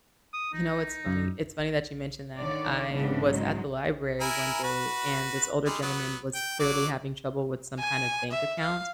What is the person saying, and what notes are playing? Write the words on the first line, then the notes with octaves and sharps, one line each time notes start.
You know, it's funny it's funny that you mentioned that. I was at the library one day and this older gentleman was clearly having trouble with some kinda bank account
D#6
D#4
F#2
D3 D#3 C#5 D5
G#2 C#3 E3 B3 C4 D4
F#3 G#3 D#4
E4 A#4 G#5
F#4 B4
G3 G#3
F#3 B3
G5
F#3 D5
G#5
E5
F5